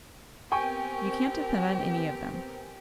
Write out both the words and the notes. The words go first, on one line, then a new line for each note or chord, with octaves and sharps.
You can't depend on any of them.
B3 C4 G4 A#4 G5 G#5 C#6